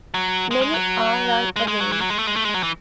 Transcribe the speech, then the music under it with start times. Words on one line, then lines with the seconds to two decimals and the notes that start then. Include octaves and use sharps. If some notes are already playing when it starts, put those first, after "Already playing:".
Many are "runaways".
0.14 F#3
0.51 G#3
0.62 G#3
0.74 F#3
1.56 G#3
1.68 G#3
1.80 F#3
1.92 E3
2.01 F#3
2.10 G#3
2.19 A3
2.27 G#3
2.36 A3
2.45 G#3
2.54 F#3
2.63 E3